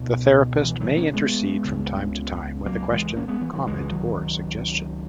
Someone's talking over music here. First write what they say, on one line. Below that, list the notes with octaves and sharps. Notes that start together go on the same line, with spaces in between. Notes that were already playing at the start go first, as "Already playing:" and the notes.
The therapist may intercede from time to time with a question, comment, or suggestion.
Already playing: C#2 B2
E3
D#3 F#3
A#3 C#4
G#3 B3
C#2 C#3
F#3 A#3
E3 G#3
A#3 C#4
G#3 B3
E3
D#3 F#3
C#2 C#3 E3 G#3
D#3 F#3